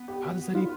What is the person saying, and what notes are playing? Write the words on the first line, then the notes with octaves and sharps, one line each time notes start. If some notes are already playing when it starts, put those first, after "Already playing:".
How does that
Already playing: B3
G4
F#4
F4